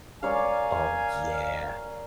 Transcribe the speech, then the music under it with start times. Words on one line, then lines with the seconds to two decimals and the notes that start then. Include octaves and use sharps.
Oh, yeah.
0.23 A#4 C#5 D5 F5 G#5